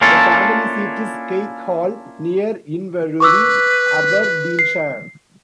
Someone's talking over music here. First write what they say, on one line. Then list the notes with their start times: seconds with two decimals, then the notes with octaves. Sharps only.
The family seat is Keith Hall, near Inverurie, Aberdeenshire.
0.01 A#3 C#4 D4 E4 F4 A4
3.20 B4 C#6 D6 E6
4.59 C7